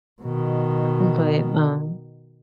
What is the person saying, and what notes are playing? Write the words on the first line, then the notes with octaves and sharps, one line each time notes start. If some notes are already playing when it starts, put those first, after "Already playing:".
but, um
B2 D#3